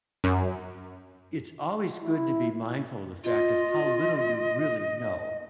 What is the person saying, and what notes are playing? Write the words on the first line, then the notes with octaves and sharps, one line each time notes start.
it's always good to be mindful of the fact of how little you really know.
F#2
E4
F4 D#5